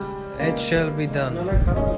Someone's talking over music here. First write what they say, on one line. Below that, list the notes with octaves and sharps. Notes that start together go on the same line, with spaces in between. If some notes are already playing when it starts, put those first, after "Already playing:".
It shall be done!
Already playing: C#3 G3 G#3 D#4 G4
C#3 G#3 A#3 D#4 G4
D#3 G#3 D#4
D#3 G#3 C#4 D#4